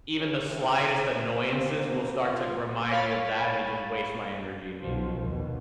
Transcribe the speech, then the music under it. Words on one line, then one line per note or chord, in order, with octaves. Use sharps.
even the slightest annoyances will start to g remind me of that, and it just wastes my energy immediately.
C#4 G#4
A2 C5
A#3 C4
F4
C#5 F5 B5 A6
B1 F3
D#2 B2